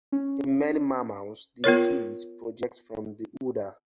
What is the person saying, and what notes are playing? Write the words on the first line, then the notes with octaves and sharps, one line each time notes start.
In many mammals the teat projects from the udder.
C#4
B3 F4 A#4 C#5